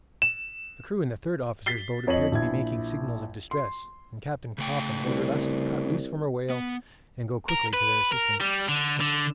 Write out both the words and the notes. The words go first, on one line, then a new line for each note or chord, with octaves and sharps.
The crew in the third officer's boat appeared to be making signals of distress, and Captain Coffin ordered us to cut loose from our whale and go quickly to their assistance.
E7
A6 B6 C7 G7
F2 C#5 D#5 F#7
A#1 E4 G#6
C6
C#3 A3 G5
C2
B3
A#4
B4
A#4
G3
D3
D3